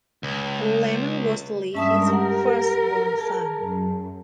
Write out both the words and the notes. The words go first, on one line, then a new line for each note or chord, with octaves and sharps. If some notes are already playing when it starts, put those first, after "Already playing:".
Laman was Lehi's first-born son.
C#2
G2 G#3 C#4 E5 A5 D#6
G4 A#4 F#5
G#4 A5
F#2